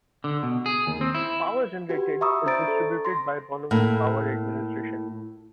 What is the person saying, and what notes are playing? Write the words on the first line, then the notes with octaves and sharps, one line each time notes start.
Power generated is distributed by the Bonneville Power Administration.
D3
B2
G#4
D#2
C4
E4
F#4 G4 B4
E5 A#5 B5 C#6 D#6 E6
D4 C5 A#5 C#6 A6 D7
A4
C6 A#6
A2 A#3